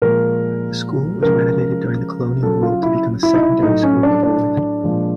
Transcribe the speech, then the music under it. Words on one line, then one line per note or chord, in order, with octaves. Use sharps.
The school was renovated during colonial rule to become a secondary school for boys.
A#2 F3 G#3 A#4
C#3 F3 G#3 A#4
C#3 F#3 A4
F4
E4
E4
D#4
E4
A2 F#3 D#4
C#4
D4
D4
A#2 F3 G#3